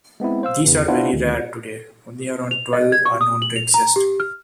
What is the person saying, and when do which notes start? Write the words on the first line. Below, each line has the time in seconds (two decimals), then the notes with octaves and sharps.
These are very rare today: only around twelve are known to exist.
0.20 G#3 B3 C4 E4
0.43 C5 F5 E6
0.64 E2 C#3 E3
0.88 B3 D4 E4 F4 C5 F#5
1.13 D2 D#3
2.51 F7
2.73 D#5
2.92 G#6
3.05 C#6
3.21 D#6
3.42 F#7
3.56 F7
3.74 A#5
3.96 G4
4.20 F6